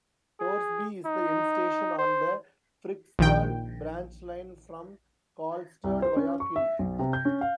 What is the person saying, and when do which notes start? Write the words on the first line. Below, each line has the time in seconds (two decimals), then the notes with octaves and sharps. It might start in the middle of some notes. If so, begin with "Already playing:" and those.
Torsby is the end station on the Fryksdal branchline from Karlstad via Kil.
0.40 G#4
1.05 D#4
1.98 C5
3.19 A#1 D#3 G5
5.84 C2
6.02 C5
6.16 C#4
6.40 C#6
6.56 E5
6.79 B1
6.99 C3
7.13 G6
7.25 C#4
7.41 F5